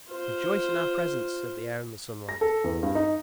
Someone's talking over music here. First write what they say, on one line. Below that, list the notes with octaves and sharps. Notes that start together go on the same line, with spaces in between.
"Rejoice in our presence!" said the Air and the Sunlight.
F4 C5
A#6
A4
E2
G2
D#4